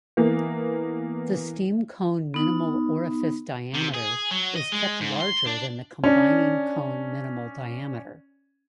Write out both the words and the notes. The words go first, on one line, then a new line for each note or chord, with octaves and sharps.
The steam-cone minimal orifice diameter is kept larger than the combining cone minimal diameter.
E3 A#3 B3
B3 D#4
C3
G#4
F#3
D#5
G#3
G#2
C6
D4
C#4 D4